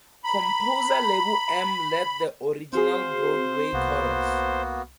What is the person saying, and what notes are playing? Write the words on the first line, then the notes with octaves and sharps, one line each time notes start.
Composer Lebo M led the original Broadway chorus.
A#5 B5
C4 F#4 G#4 C5 F5
C2 A#3 B3 F#4